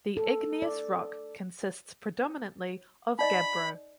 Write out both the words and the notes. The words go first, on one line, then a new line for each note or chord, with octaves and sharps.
The igneous rock consists predominantly of gabbro.
A4
D5
D#4 D5 D#5 B5